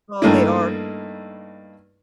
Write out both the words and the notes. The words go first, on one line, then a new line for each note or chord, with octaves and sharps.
Oh, they are.
G2 A3 A#3 D#4 E4